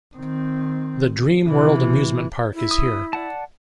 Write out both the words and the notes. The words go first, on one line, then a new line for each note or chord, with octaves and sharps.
The Dream World amusement park is here.
D#3 C4
C3 E3
E4
D#6
D5 F#5 A5